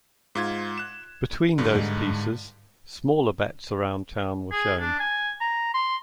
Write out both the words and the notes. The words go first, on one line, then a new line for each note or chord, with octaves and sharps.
Between those pieces, smaller bets around town were shown.
G#2 F4 G#6
F#6 E7
G2 D3
G#2
G#4
D4
G#5
A#5
C6